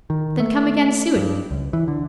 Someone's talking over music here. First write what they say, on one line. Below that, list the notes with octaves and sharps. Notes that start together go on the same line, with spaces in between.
Then come again soon.
D#3
A3
G2
C#2
E3
D3